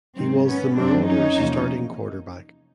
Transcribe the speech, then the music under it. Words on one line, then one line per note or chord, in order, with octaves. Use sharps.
He was the Marauders starting quarterback.
G#2 D#3 F#3 C4
B3 C#4
F#2 D#3 F#3 A#3 C4 D4
C#4 D#4
E2 C3 F3 A#3